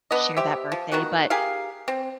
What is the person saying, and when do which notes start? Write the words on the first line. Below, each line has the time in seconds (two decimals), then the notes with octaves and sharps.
share that birthday, but
0.11 B3 D4 D#5
0.37 G4 C5 E5
0.72 F3
0.92 D#3 B3 F#4 F#5
1.30 G4 G#4 A#4 F5
1.88 C4